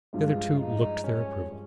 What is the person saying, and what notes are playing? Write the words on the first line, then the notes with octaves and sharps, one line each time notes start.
The other two looked their approval.
G2 F3 G#3 F4
D#4
C#4